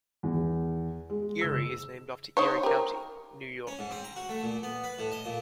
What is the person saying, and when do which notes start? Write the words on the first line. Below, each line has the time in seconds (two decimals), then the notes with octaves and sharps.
Erie is named after Erie County, New York.
0.23 E2
1.10 G#3
1.41 F#1 E6
2.37 D#4 C5 C#5
2.63 G4 A#4
3.67 C#4
3.79 G#2
3.91 C4
4.04 A#5
4.16 F#4
4.29 A3
4.43 A#2
4.63 B3
4.84 B4
4.99 A2
5.12 D#5
5.25 A#2